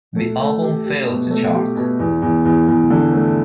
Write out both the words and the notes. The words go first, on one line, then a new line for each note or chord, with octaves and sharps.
The album failed to chart.
A3
A3
G4
G4
B2
A3
G4
B2
E2
E2
E2
E2
D3
A3